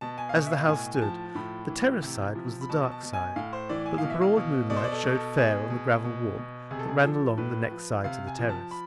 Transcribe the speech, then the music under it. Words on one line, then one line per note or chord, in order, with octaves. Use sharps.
As the house stood, the terrace side was the dark side; but the broad moonlight showed fair on the gravel walk that ran along the next side to the terrace.
B2 A5
G#5
F5
B2 G#5
E5
F5
A2 G#5
G#5
F3 A5
A2 B5
E3
C3
F3
B5
B2 A5
A5
B2
G#5
A2 F5
C5
E3 D5
G#5
F5
B2
E5
F5
B2
B2 D5
C5
D5
A4
B2
A4
B2 G#4
B2
B2
B2
C3 G#4
A4
G#4
F3 A4
A2 B4
F3
C3 F5
G#5
F3
A5
B5